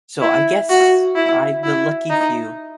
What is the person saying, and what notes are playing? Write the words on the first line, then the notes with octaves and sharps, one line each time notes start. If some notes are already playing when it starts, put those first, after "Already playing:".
So I guess I'm the lucky few.
E4
F#4
E4
E4
D#4